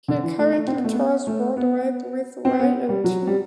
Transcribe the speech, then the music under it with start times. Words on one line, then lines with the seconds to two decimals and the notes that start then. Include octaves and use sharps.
He currently tours worldwide with Y and T.
0.08 D3
0.23 E3
0.38 A3
0.53 A3
0.68 C4
0.76 B3
0.84 A3
0.93 B3
1.27 A3
1.57 B3
2.45 C4
2.60 B3
2.89 G3
3.04 F#3
3.27 G3